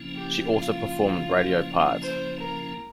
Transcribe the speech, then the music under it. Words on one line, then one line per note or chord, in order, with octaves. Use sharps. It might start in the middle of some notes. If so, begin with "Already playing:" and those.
She also performed radio parts.
Already playing: C#3 F3 A#3 C#4 E4
G4
F4
C5
A#4